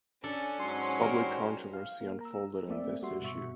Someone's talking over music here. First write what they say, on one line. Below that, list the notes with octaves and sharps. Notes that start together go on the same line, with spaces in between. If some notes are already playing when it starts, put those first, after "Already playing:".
Public controversy unfolded on this issue.
C#4 D4 A4
G#2 F#3 C6
G3 A#4 C5
F5
A#3
A#5 E6
A3 A#3 C4 D5 E5
G3 F#4 E5 C6
G2 B2 E5 C#6